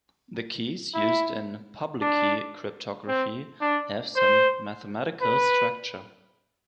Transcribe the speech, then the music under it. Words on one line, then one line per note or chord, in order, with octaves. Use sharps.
The keys used in public key cryptography have some mathematical structure.
E4
D4
C4
D4
C5
B4